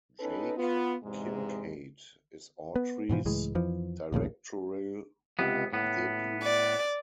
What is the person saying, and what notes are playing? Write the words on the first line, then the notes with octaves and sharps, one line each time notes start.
Jake Kincaid is Autry's directorial debut.
B3 C#4 D#4 A4 B4
B3 F4
E2 G#2 C3 G#3
B3
G#2 B2 E3 F3
C#2 A2 E3 G#3
F2 E3 F3
A#1 D#2 A2 C#3
C#2 C3 B3
A2 B3
D5